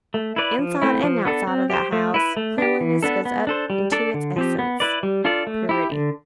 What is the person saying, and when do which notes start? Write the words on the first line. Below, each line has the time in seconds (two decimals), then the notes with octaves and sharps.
Inside and outside of that house cleanliness goes up into its essence, purity.
0.14 A3
0.36 E4 B4 D5
0.59 F3
0.82 A3 C4 E4
1.03 F3
1.25 B3 D4 A4
1.47 C4
1.70 G4 C5
1.92 A3
2.14 E4 B4
2.37 A3
2.58 D4 G4
2.81 E3
3.03 B3 D4 A4
3.25 B3
3.47 D4 A4 C5
3.70 G3
3.92 D4 A4 D5
4.14 D3
4.36 F3 C4 G4
4.59 B3
4.80 E4 B4 D5
5.03 G3
5.24 D4 F4 A4 D5
5.47 A3
5.69 E4 G4
5.91 D3